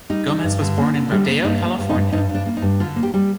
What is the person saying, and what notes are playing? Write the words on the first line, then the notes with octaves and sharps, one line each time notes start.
Gomez was born in Rodeo, California.
G3 D#4
G3
G2
D3
A#3
D3
G3
A#3
G2 D#4
A#3
G2
D#4
G2
G2 D#4
G2
D4
A#3
D#4
G2
D3 F4
A#3
G4
G3